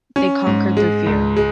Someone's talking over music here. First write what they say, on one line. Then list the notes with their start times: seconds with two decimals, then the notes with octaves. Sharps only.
They conquered their fear.
0.16 C#4
0.47 G#2
0.77 G#3
1.06 C#2
1.37 G#3